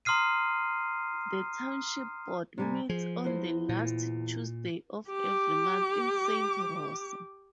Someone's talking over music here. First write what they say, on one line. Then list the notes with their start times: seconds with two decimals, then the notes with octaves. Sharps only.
The township board meets on the last Tuesday of every month in Saint Rosa.
0.05 A#5 C6 D#6 F6 C7 D#7
2.58 C3 G3 G#5
2.89 F3 G#4
3.24 E2 C5
3.69 A#2
5.09 G4 D6